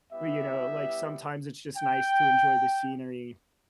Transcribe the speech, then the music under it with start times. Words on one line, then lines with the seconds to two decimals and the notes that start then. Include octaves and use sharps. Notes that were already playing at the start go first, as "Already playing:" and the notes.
But, you know, like, sometimes it's just nice to enjoy the scenery.
0.11 G3 B3 E4 G4 E5
1.77 G5